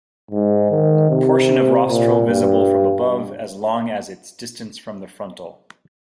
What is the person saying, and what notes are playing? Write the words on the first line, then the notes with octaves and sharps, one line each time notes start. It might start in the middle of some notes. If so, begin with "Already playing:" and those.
Portion of rostral visible from above as long as its distance from the frontal.
G#2
D#3
C3
A#2
G2